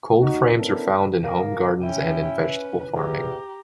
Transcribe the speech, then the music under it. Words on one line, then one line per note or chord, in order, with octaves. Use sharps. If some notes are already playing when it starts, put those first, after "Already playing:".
Cold frames are found in home gardens and in vegetable farming.
D#2 D#4 F#4
B3 C#4 D4 E4 A4 A#4
A#3
C#4 E4 G5
C#4 B4
E2 G4 A#5